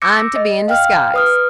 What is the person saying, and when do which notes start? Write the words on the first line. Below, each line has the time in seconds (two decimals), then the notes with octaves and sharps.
I'm to be in disguise.
0.02 D6 E6 G6 A#6 C#7
0.36 D#5
0.68 F5 G5 F6
1.14 B4 D#6 F6